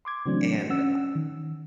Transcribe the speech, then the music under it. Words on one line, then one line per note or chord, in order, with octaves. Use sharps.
And, uh,
C6 D6 G#6
C#3 E3 F#3 A3 C4 D4
C#4 F#5 E6
D#3